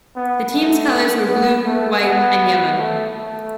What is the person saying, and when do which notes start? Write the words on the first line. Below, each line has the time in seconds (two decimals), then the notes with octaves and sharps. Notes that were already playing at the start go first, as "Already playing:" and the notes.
The team's colors were blue, white and yellow.
0.16 B3
0.53 A3
1.28 B3
1.65 A3
2.03 B3
2.78 A3
3.16 A3